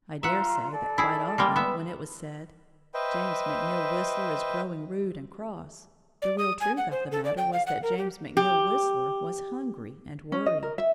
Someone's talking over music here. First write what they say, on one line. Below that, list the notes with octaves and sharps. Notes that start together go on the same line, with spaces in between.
I dare say that quite often when it was said: "James McNeill Whistler is growing rude and cross," the real truth of the matter was that James McNeill Whistler was hungry and worried.
F4 E5 F#5 A#5 C6
A4 D5
E4 G#4
G3 G#3 A#3
B3 E5
B4 C5 D#5 E5 G5
D5
D#6
G#5
F#5
C5
A4
D5
G5
F5
F#5
A#4
G4
G4
C#4
D#5
A#4
E5